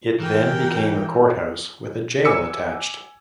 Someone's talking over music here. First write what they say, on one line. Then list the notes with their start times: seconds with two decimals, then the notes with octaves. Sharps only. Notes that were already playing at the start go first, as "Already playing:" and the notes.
It then became a courthouse with a jail attached.
0.20 E3 A#4 G5
2.25 G#5 D6 E6 C#7